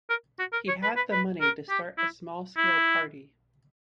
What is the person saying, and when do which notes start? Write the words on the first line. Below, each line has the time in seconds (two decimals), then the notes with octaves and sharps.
He had the money to start a small-scale party.
0.10 A#4
0.39 F#4
0.53 A#4
0.68 C#5
0.83 B4
0.97 B4
1.12 B4
1.41 A#4
1.69 G4
1.98 E4
2.57 E4